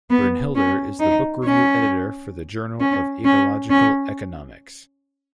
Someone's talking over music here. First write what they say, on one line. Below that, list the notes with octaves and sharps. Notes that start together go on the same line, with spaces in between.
Brynhildur is the book review editor for the journal of "Ecological Economics".
B3
C#4
D#4
C#4
C#4
C#4
C#4